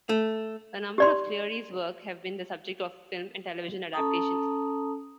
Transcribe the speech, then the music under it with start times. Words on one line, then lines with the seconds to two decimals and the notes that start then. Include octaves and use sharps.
A number of Cleary's works have been the subject of film and television adaptations.
0.09 A3
0.98 G4 D5 C6
3.93 C#4 A4 A5 A#5 D#6